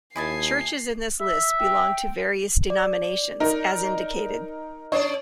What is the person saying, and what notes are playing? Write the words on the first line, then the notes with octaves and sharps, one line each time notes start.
Churches in this list belong to various denominations, as indicated.
D#2 E4 D#5 G#5 A5 C7
E5
G5
D5
D#4 A#4
C#4 C#5 D5